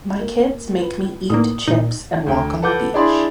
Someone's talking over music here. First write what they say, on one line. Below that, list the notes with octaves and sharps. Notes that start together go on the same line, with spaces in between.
My kids make me eat chips and walk on the beach.
A#3 A#4
F4 B4
A2 D#3 A#3 B4 D5 D#6
A#2 D#4
D2 G5
A4 B4 F#5 D6 G6
D4 E4 G#4 D5 B5 C6